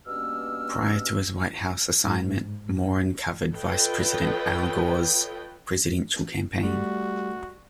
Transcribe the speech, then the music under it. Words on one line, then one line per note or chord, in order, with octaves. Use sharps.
Prior to his White House assignment, Moran covered Vice President Al Gore's presidential campaign.
G2 B2 A#3 C#4 E6 F6
G#2
F4 A4 B4 C#5 D#5 G5
G3 A3 F#4